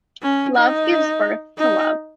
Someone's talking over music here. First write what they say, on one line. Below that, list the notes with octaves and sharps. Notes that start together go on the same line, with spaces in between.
Love gives birth to love.
C#4
D#4
D#4